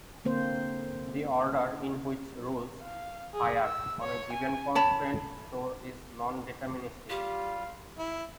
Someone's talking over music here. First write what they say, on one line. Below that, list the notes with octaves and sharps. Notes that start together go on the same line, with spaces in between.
The order in which rules "fire" on a given constraint store is non-deterministic.
D3 A#3 C4 C5
F5
G#4
E6
C#5
G#5
C#5 A5 B5
G3 F4 G4 F5
E4